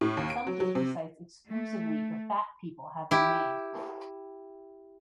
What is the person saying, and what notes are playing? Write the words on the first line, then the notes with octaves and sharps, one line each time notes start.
Some dating sites exclusively for fat people have been made.
A2
D#2
D7
F#3
F#3
C3
A3
E4 G4